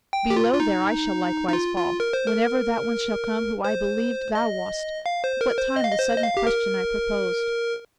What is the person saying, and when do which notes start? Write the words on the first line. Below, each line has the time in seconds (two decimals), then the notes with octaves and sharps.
Below there I shall likewise fall, whenever That one shall come who I believed thou wast, What time the sudden question I proposed.
0.13 G5
0.30 G4
0.36 F4
0.53 F4
0.60 D#4
1.49 D#4
1.53 F4
1.76 F4
2.00 A#4
2.13 C5
2.27 A#4
3.65 C5
4.35 D#5
5.06 F5
5.24 C5
5.41 A#4
5.58 C5
5.76 D#5
5.84 F5
5.91 D#5
5.99 C5
6.17 D#5
6.23 F5
6.37 G4
6.47 A#4